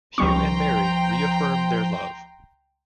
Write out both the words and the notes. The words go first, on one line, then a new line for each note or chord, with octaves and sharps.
Hugh and Mary reaffirm their love.
C#2 F3 G3 G5 A#5 C6 C#6